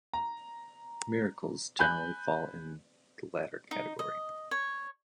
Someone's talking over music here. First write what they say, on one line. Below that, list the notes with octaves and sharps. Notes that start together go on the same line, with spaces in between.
Miracles generally fall in the latter category.
A#5
G#5 B5 F#6 G6
D#4
D#5
C#5